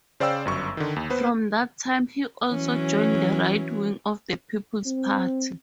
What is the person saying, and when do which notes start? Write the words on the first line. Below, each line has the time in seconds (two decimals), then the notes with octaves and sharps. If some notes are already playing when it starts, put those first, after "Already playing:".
From that time he also joined the right wing of the People's Party.
0.20 C#3 C5 D5 F5 G5 E6
0.45 G1 F#2 C#6
0.77 D3 D#3
0.96 D#2
1.10 B3 B4 C5
2.51 E3 F#3 C#4
4.85 C4